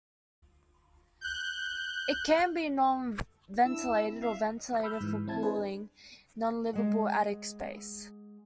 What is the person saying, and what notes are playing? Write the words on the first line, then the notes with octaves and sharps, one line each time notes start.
It can be non-ventilated or ventilated for cooling non livable attic space.
F#6 G6
D4 E4 E6
C4
E5 F5
B5 E6 F6 G6
G#2 E3
E3 C4 E4 A5 G#6
D4 G#4 B4 C5
G#3 F#5